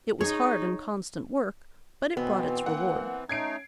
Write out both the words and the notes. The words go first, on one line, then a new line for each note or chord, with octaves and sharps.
It was hard and constant work, but it brought its reward.
D#4 G#4 C#5
B2 E3 B3 C4
A#3 F#5
A3 C#4 D#4 G#6 C7 D7